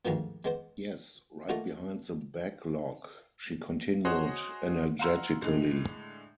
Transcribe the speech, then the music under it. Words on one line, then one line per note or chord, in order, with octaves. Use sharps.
"Yes, right behind the back log," she continued, energetically.
D2 G#2 D#3 F3 B3
G#3 B3 C5
A3 A#3 D#4 F4 F#4
F#4 G#4 C5 C#5 D#5 F#5
F5 F#5 A#5 C6 E6 F6
A2 D3 G#3